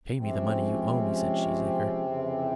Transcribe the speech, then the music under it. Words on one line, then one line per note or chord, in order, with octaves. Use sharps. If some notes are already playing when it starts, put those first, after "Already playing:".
"Pay me the money you owe me," said Cheesacre.
C3 F3 G#3 C4 C#4
F2 C#3 E3